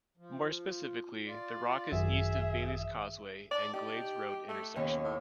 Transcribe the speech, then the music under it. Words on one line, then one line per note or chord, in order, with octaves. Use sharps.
More specifically, the rock is east of the Bailey's Causeway and Glades Road intersection.
F3
F4 D5
G#1 F#2 D#3 G#4 E5
D5 A5
D#4 G4
A3
D#2 B2 D#3 C#4
A2